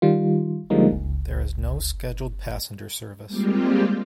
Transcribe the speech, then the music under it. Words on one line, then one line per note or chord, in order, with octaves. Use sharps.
There is no scheduled passenger service.
D#3 G3 F4
D3 F3 G3 G#3 A#3 D#4
C#2
G3 G#3 A#3 C4 F4 G4